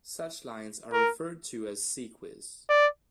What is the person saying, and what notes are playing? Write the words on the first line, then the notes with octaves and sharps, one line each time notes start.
Such lines were referred to as "ceques".
A#4
D5